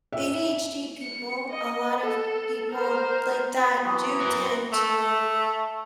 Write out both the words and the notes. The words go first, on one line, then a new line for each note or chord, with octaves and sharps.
ADHD people a lot of people like that do tend to,
E5
C#7
D#5
A4
A#4 C5
E3 F#3 B3 B5 C6 D#6
F#4 A#4
A3